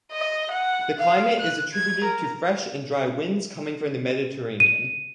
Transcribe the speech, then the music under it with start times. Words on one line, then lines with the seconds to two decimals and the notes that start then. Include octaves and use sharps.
The climate is attributed to fresh and dry winds coming from the Mediterranean.
0.12 D#5
0.51 F#5
0.99 F5
1.40 F#6
1.74 G#6
2.04 A#4
4.60 D#7